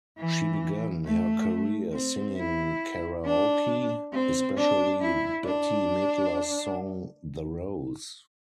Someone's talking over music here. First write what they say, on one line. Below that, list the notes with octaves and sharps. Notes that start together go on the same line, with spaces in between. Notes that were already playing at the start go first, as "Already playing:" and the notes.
She began her career singing karaoke, especially Bette Midler's song "The Rose".
E3
A3
C4
E4
D4
C4
D4
E4
D4